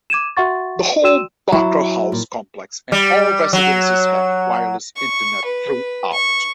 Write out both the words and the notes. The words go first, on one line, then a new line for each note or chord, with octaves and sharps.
The whole Barker house complex and all residences have wireless internet throughout.
D6 G#6 D#7 E7
F#4 E5 F#5 C#6 A6
F#4 D5 G5 E6 D#7 E7
F#3 E4
A#2
G3
F#3
C#6
B4
C#6